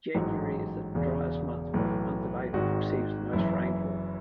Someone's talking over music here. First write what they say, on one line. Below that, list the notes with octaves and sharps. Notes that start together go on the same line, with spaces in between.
January is the driest month while the month of April receives the most rainfall.
A1 G#2 F#3
E1 E2 C#3
B1 A2 E3
G#1 G#2 D#3 F#4
F#1 F#2 E3 E4